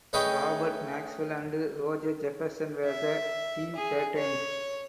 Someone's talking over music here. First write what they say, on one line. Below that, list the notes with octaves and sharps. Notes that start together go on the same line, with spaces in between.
Robert Maxwell and Roger Jefferson were the team captains.
A3 C#4 G#4 B4 D#5 G5
E5
G#4
C#5